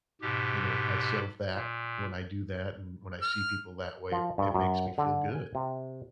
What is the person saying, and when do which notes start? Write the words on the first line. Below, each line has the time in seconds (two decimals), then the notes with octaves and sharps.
you know, myself that when I do that and when I see people that way, it makes me feel good.
0.21 G#2 B2 G4
1.55 A#2
3.22 F6
4.12 F3
4.38 G2
4.54 F#2
4.98 D3
5.35 G#5
5.55 C3